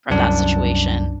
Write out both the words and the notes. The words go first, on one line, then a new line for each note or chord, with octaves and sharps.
from that situation.
C2 F#2 D4